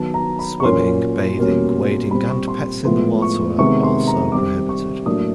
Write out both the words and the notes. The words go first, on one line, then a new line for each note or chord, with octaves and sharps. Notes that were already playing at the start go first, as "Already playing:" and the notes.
Swimming, bathing, wading and pets in the water are also prohibited.
Already playing: D#3 F#3 B3 A5
A#5
B5
C#6
A#2 F#3 A#3 C#4 C6
B2 G3 A#3 C#4
A#2 G3 C4 B5
C#6
C6
A2 F3 G#3 B3 C6
C#6
C3 D#3 G#3 B3 C#6
C6
A#5
D#3 G3 C4 D6
C#6
A2 F#3 A#3 D4 D#6